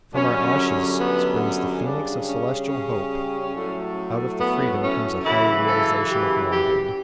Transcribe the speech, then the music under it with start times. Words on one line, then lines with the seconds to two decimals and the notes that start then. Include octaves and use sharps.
From our ashes springs the phoenix of celestial hope, out of the freedom comes a higher realisation of manhood.
0.14 F#2 D3 G3 C#4
1.00 B3
1.42 C#4
1.84 C#3 G3 D4
2.28 C#4
2.69 C#4
3.54 A2 F#3 A3
4.40 B3
4.82 C#4
5.24 F#2 C#3 E3 E4
5.67 A4
6.10 G4
6.52 G4